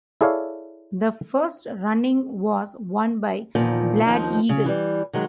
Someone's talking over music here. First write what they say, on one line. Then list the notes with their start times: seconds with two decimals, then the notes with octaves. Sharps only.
The first running was won by Bald Eagle.
0.21 E4 G#4 A4 C#5 D5 F5
3.55 E2 A#2 D#3 F3
4.06 D#2 F3 C4 D#4
4.49 C#3
4.66 E3 G3
5.13 D#3 F#3 G#3